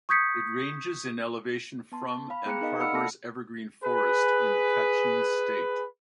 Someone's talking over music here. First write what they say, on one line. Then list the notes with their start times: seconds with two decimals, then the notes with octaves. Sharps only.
It ranges in elevation from and harbours evergreen forest in Kachin State.
0.09 C#6 D#6 G6 G#6 B6 C#7
1.92 B3 A5 C6
2.30 F5 B5
2.46 B3 G#4 G5 A#5 F#6 C#7
2.61 D#4 A#4 D#5 F5
2.80 D5 F#5 B5 E6 F6 C#7
2.94 A#3 A4 A5 A#6 C#7
3.84 G#4 B4